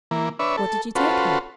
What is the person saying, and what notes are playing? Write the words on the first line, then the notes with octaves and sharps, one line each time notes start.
'What did you take her?'
E3 A#3
D4 B4 C#5 E5
A4
C#4 F4 F#4 A4 B4 C5